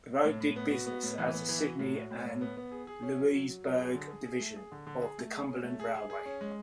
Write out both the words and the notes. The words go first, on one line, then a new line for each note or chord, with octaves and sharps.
The road did business as the Sydney and Louisburg Division of the Cumberland Railway.
A2
A2
B3
F#4
B3
A2
E3
B3
E3
F#4
A2
F#4
A2
A2
B3
B3
G#4
G#4
C#4
F#3
F#3
F#3
F#3
G#4
D3
G#4
G#4
A3
G#4
D3
D3
G#4
A3
G#4
C#4
A3
G#4
G#4
G#4
C#4
G#3